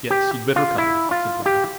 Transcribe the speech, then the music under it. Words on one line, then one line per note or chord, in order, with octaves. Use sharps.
"Yes, you'd better come," said Thorndyke.
G4
F4
E4
F4
G4